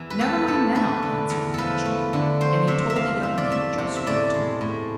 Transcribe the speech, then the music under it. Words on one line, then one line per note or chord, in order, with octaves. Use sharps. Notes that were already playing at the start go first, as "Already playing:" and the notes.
"Never mind now," answered the Bachelor, and he told the young Mink just where to gnaw.
Already playing: E2 E3 E5
B4
A3 A4
C3 A4
A3 B4
D3
E2
F3 A4 B4
A3
D3
A3 C5
C3 E5
E5
E2 F5
F3 E5
D5
A3 E5
C3
E5
A2 D5
G#3
A2